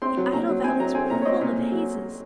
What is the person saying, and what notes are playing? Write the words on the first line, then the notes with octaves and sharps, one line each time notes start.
The idle valleys were full of hazes.
C4 C6
F#3
A#2 A#5
F#3
C4 G#5
F#3 A#5
C4 G#5
A#2 A#5
C#5
C4 D#5
A#2
A#2
F#3